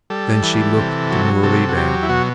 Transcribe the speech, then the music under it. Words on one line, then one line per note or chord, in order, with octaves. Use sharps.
Then she looked demurely down.
G3 A4
E3
C3
F#3
C3 A4
F#4
F#3 G4
E4
B2 F#4